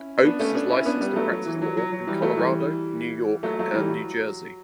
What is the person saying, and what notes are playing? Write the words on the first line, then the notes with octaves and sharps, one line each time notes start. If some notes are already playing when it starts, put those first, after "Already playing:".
Oates is licensed to practice law in Colorado, New York, and New Jersey.
Already playing: C#4 E4
B3 D4
A3 C#4
B3 D4
C#4 E4
B3 D4
G3 B3
F#3 A3
F#3
E3
F#3
F#3
F#3
E3 G3
F#3 A3
E3 G3
F#3 A3
F#3 A3
E3 G3
F#3